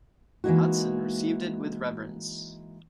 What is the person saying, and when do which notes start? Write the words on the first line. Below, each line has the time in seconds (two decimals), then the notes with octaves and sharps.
Hudson received it with reverence.
0.44 E3 G#3 A#3 D#4 E4 F#4